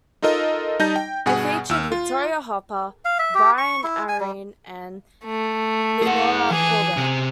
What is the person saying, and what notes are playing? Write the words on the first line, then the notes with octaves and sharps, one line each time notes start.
It featured Victoria Hopper, Brian Aherne, and Leonora Corbett.
D#4 F4 A4 A#4 D#5
G3 D#4 D#5 A5 G6 A#6
G5
G2 B2 G#4 F#5 G#5
D#2 E6 F6
F4
F5
E5
G4
C#6
E4
G#5
G3
A3
G#4 F#5
E3 G#4
C3